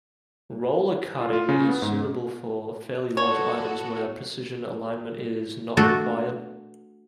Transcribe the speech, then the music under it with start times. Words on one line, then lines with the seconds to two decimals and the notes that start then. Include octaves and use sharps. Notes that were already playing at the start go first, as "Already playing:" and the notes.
Roller cutting is suitable for fairly large items, where precision alignment is not required.
1.21 F4
1.33 F4
1.49 C#3
1.69 B3
1.82 G#2
3.17 B3 F#4 A4 C#5
5.77 A3 D4 F#4 A4